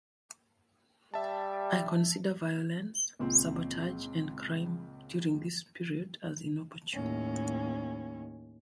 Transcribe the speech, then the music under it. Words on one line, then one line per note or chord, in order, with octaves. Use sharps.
I consider violence, sabotage, and crime during this period as inopportune.
G3 E5 A5
C#2 A#2 C4
D#2 A2 C#4